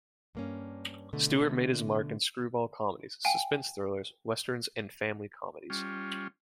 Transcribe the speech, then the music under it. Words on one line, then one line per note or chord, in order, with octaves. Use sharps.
Stewart made his mark in screwball comedies, suspense thrillers, westerns and family comedies.
G2 A#3 C#4
B2 D3 A3
F5 G5 G#5
G3 C#4 F4